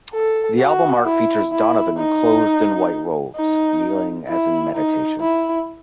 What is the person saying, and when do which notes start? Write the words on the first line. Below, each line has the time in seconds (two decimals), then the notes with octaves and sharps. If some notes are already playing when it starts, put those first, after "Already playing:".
The album art features Donovan clothed in white robes, kneeling as in meditation.
0.14 A4
0.60 F#4
1.05 E4
1.52 E4
1.97 D#4
3.36 D#4
4.28 E4
4.74 D#4
5.20 E4